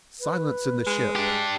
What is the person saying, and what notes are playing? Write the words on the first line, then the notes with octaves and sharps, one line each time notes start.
"Silence in the ship!"
B4
G#3
D4 G4